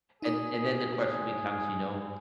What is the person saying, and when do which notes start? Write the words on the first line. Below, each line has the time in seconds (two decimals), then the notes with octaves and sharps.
and and then the question becomes, you know,
0.22 D#4 G#4 D#6